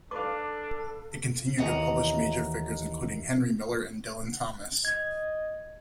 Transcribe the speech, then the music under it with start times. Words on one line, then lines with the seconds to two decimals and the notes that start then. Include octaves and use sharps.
It continued to publish major figures, including Henry Miller and Dylan Thomas.
0.11 D4 A4 B4 F5 D6
1.58 D#2 E3 D#5 F#5 A#5
4.85 D#5 G#6